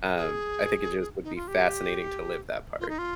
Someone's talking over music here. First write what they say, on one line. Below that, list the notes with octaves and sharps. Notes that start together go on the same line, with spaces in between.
Um, I think it just would be fascinating to live that part.
G#4
D#4
F4
G4
F4
D#4
F4